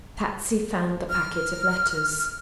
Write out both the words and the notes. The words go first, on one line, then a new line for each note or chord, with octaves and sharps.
Patsy found the packet of letters.
F6